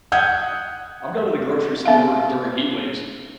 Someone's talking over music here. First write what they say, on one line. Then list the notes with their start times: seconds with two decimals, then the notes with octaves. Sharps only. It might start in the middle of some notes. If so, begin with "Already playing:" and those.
I've gone to the grocery store during heat waves.
0.12 F#5 D#6 G6 G#6
1.86 B3 E5 F5